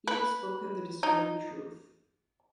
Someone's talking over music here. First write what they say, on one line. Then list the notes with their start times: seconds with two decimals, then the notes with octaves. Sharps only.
He had spoken the disturbing truth.
0.07 B4
1.03 D#4